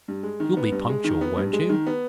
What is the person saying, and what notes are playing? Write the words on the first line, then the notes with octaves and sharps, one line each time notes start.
"You'll be punctual, won't you?"
G2
G#3
D#3
B3
G2
G#3
D#3
B3
G2
G#3
D#3
B3